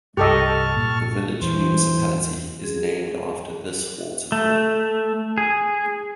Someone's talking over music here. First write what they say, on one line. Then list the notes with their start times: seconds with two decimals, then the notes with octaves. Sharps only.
The village municipality is named after this waterfall.
0.17 C2 G2 G4 A4 D#5 A5 C#6 F6
0.76 A#2
1.42 E2 E3 C5
2.64 G#4
4.32 A3
5.38 G#4